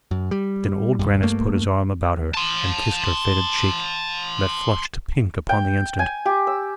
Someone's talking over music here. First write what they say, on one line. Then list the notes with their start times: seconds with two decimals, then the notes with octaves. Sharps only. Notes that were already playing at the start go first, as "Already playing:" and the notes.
Then Old Grannis put his arm about her, and kissed her faded cheek, that flushed to pink upon the instant.
0.11 F#2
0.31 G3
0.99 D#1 C#2 G2
1.23 G2 A3 A#3
2.34 A5 C6
5.49 G5
5.99 G#5
6.25 G4
6.47 E6